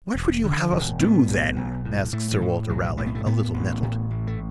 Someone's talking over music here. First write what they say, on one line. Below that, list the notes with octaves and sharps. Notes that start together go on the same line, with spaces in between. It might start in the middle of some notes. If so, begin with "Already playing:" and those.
"What would you have us do, then?" asked Sir Walter Raleigh, a little nettled.
E1
D3
E1
A2 B3
B1
B1
A2
A2 A3
E3
A2
B1 F#3
A2 A3
B3
A3
A2 B3
A1
A2
A1
A3